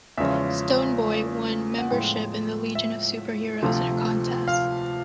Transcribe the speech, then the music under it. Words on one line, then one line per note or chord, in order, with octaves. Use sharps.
Stone Boy won membership in the Legion of Superheroes in a contest.
E2 C#3 F3 G#3 C#4 E5
F#5
A2 F3 G#3 B3 G5
E5
D2 C3 F3 A3
F5